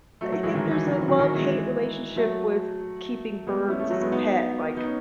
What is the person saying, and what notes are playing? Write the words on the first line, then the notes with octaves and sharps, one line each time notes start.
I think there's a love-hate relationship with keeping birds as a pet, like
F#3 A3
F#3 A3
E3 G#3
D#3 F#3
E3
D#3 F#3
E3
D#3 F#3
D#3 F#3
E3 G#3
F#3 A3
G#3 B3
C#4 E4
A3 C#4
F#3 A3
G#3 B3
B3 D#4
B3 D#4
C#4